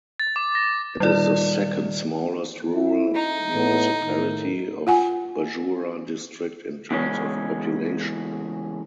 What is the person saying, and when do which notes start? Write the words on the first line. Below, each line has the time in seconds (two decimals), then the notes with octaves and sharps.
It is the second smallest rural municipality of Bajura district in terms of population.
0.20 A6
0.36 D6
0.55 A#6
1.00 A#2 D#3 G3 D5 F6
2.75 E4
3.15 D#4
3.54 A2 B3
4.05 A2 D#3
4.87 F4 F#5 G#5
6.91 E2 C#3 G#3 C#4